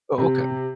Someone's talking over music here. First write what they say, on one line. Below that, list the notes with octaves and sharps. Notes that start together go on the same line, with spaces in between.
Oh, okay.
C3